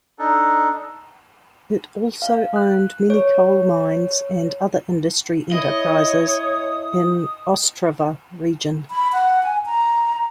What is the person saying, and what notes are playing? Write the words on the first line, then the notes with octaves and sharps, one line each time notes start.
It also owned many coal mines and other industry enterprises in Ostrava region.
D4 D#4 A4
F5
F#6
C#5
E4 C#5 D#5 D#6
B5
F#5
G#5
A#5